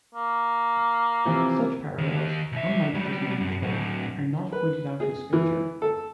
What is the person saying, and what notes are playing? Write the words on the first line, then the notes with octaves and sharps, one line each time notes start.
Such parallels, unlike those mentioned above, are not pointed out in Scripture.
A#3
C3 E3 F3
D#3 G4
C2 E5
F#3 G3
F#2
A2 F#3
B4
G#4
E3
A4